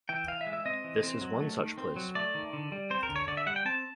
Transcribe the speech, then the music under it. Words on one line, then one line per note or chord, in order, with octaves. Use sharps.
This is one such place.
E3 G5
E3 F5
E5
G#3
E5
C4 D#5
E3
C4
F#3
A3
D#3
C4
F#3
A3 D5
D#3
D3
G3
C4 C5
A#4
D3
C#5
D3 D5
E5
G3 F#5
G5
C4 A5